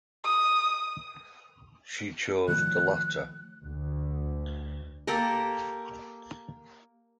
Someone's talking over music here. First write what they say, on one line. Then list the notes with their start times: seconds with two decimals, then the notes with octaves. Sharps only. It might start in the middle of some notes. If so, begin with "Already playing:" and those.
She chose the latter.
0.24 D#6
2.48 D#3 F3 A3 F#6
3.63 D2
5.07 A#3 G4 A4 A#4